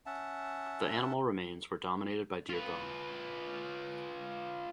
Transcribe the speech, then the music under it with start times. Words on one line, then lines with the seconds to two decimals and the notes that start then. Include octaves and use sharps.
The animal remains were dominated by deer bone.
0.06 C#4 E5 F#5 A5
2.50 F4 B4